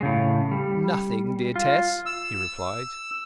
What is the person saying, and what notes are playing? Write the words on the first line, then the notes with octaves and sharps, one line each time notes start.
"Nothing, dear Tess," he replied.
A2 C#3 G#3
G3
F4
E6